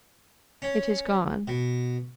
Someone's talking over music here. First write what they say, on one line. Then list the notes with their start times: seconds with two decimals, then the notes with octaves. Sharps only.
"It is gone."
0.62 C#4
1.48 B2